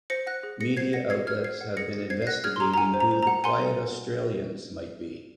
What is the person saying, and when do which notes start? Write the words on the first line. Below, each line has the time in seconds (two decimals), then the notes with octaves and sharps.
Media outlets have been investigating who the Quiet Australians might be.
0.10 C5 A#6 C#7
0.27 F#5 F#6 A#6
0.43 G#4
0.60 G#4 A#6 C#7
0.77 C5 G#6 C7
0.93 F#5 A#6 C#7
1.10 G#4 G#6 C7
1.27 G#4 F6 G#6
1.44 C5 G#6 C7
1.61 F#5
1.77 G#4 A#6 C#7
1.94 G#4
2.10 C5 G#6 C7
2.22 C7
2.27 F#5 F#6 A#6
2.44 G#4 F6 G#6
2.56 C6
2.60 G#4 A#5
2.74 A#5
2.77 F#5 G#5
2.94 C5
3.00 A#5
3.11 C5
3.23 F#5 A#5
3.44 F#5 G#5 C6